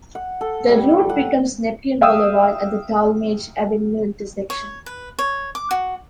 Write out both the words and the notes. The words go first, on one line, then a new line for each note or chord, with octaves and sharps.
The route becomes Neptune Boulevard at the Talmadge Avenue intersection.
F#5
A4
G3
F#5
E5 F5 G5 D#6 E6
C#5
B4
C#5
D6
F#4